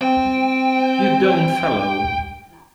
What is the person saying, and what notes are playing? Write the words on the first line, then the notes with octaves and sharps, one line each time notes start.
You don't follow.
C4 G5